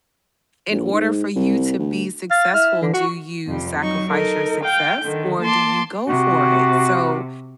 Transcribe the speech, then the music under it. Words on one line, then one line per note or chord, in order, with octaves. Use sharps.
in order for you to be successful, do you sacrifice your success, or do you go for it? So,
A#1
G#2
C2
D2
F5 A6
E4 F6
D3 E3
F#4 C#6
F2 C3 G3
F#3 D#4 C#6
D#4 A4 A#4
F5 G5 G6
D3 D#3
A#3 A5 C6 D6
C3 F#4